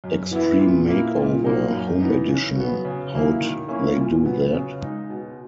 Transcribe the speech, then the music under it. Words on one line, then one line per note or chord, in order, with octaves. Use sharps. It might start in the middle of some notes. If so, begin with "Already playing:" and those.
Extreme Makeover: Home Edition: How'd They Do That?
F#2
E3 B3 E4
A#2
A#3 E4
A#2
F#3 A#3 D#4
F#2
E3 B3 D#4
C#3
F#3 B3
C#3
F#3 A#3 E4
D#3
A#3 C#4 E4
A#2
F#3 B3
C#3
G#3 D#4
B2